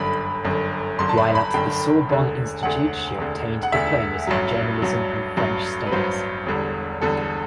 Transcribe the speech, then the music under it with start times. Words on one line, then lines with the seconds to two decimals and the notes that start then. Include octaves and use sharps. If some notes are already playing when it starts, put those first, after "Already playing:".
While at the Sorbonne institute she obtained diplomas in journalism and French studies.
Already playing: G1 F#2 D3 B5
0.45 G1 F#2 D3
0.99 G1 F#2 D3 C6
1.09 A5
1.18 B5
1.35 B5
1.54 G1 F#2 D3 G5
2.08 E1 D2 D3
2.63 E1 D2 D3 F#5
3.18 E1 D2 D3
3.63 F#5
3.72 E1 D2 D3 E5
4.27 A1 G2 F#3
4.82 A1 G2 F#3
5.37 A1 G2 F#3
5.87 B4
5.91 A1 G2 F#3 C5
6.46 E1 E2 D3 G3
7.01 E1 E2 D3 G3 A4